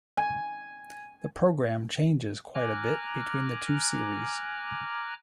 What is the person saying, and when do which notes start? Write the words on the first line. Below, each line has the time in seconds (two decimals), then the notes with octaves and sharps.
The program changes quite a bit between the two series.
0.17 G#5
2.55 G#5 A#5 D6 F6 F#6